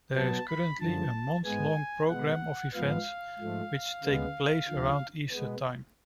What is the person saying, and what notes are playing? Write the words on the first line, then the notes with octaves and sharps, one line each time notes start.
There is currently a month-long programme of events which take place around Easter time.
B2 F#3 B3 A5
B5
F#2 D3 F3 A5
G#2 G#3 B3 G#5
B2 G#3 B3 F#5
G#2 F3 B3 F5
G#2 F3 A3
D2 C#3 G#3 B3
D2 D3 F3
B2 G#3 B3